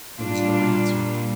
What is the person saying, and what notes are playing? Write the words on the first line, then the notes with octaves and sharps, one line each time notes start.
There was no answer.
A#2 G3 A#3 D4 F4